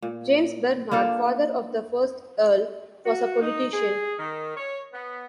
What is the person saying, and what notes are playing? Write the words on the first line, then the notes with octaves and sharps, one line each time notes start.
James Bernard, father of the first Earl, was a politician.
A#2
A#3 D4 F4 A4
F#4
D#4
G#4
D#3
C#5
B3